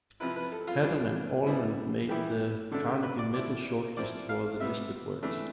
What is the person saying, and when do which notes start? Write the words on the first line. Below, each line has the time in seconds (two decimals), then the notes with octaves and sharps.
Haddon and Almond made the Carnegie Medal shortlist for the listed works.
0.20 C3 F3 C4 E4 B4
0.36 B4
0.52 A4
0.67 F4
0.83 E3 G3 D4 F4
1.46 B2 G3 B3 E4
2.09 E3 G3 B3 E4 G4
2.71 D3 A3 D4 A4
2.88 G4
3.02 B4
3.19 D5
3.34 F3 C4 E4 D5
3.97 F3 C4 E4 D5
4.29 F5
4.60 C3 G3 B3 E5
5.22 C3 E3 A3 D4